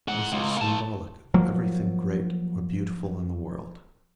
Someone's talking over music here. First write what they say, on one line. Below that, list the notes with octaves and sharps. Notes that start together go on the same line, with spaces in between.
This is symbolic of everything great or beautiful in the world.
G#3 F#5
C#2
A#3 A5
F3 F#3 A#3